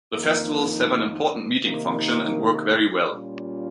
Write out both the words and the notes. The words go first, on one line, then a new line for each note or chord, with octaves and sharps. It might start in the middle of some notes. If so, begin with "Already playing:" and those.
The festivals have an important meeting function, and work very well.
F2 D#3 A#3 D#4
C3 D#3 A#3 D#4
A#2 G3 C#4 F4